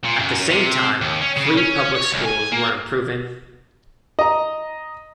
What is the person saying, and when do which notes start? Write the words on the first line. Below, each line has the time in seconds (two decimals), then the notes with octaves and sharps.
At the same time, free public schools were improving.
0.04 A#2
0.19 F#2
0.51 C3
1.01 D#2
1.21 C#4
1.37 C#3
1.57 C#4
1.95 C#5
2.12 C2
2.25 G#5
2.52 A#3
4.19 D#5 A#5